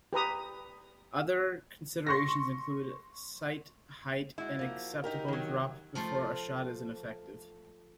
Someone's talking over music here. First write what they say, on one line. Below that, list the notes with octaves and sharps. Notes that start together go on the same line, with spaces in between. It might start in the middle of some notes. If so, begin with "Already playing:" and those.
Other considerations include sight height and acceptable drop before a shot is ineffective.
G4 B4 A#5 D#6
C6 C#6 A#6
G#3 E4 F#4
F3 A#3
D#4 G4 A#4
D#3 F#3
F3 A3 C5